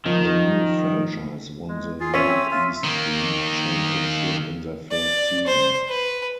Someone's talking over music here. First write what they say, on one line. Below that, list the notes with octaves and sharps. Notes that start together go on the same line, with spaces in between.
The new franchise won the Northeast League championship in their first season.
D#3 F3
G#3
F4 G#4
C#4 C#5 E5 C6 B6 D#7
C4
F4 E5
D#3 A#3
D5
C5
B4